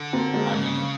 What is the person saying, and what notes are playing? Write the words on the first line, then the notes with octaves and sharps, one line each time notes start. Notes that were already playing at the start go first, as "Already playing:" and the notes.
I mean,
Already playing: D3
A#3 C4
G#3 A#3
C3
C#3